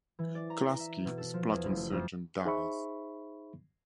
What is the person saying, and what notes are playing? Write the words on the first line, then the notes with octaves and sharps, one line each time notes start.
Klasky, his platoon sergeant, dies.
E3
D5
A#5
A#6
E5
B2
A4
F3
E2
F#1
A3
F2
D#4 G#4 C5 E5 B5 C#6